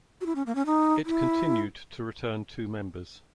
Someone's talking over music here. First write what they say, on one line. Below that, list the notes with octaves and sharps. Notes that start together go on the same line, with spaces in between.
It continued to return two members.
F#4
E4
C#4
A#3
C#4
D#4
E4